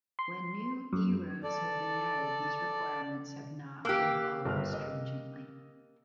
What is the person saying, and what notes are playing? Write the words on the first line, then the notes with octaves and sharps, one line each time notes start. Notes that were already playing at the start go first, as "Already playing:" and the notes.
When new E-roads have been added these requirements have not been followed stringently.
C6
F#2
A4 D5
A#3 G4 D6 E6 F#6
G1 F6
D#5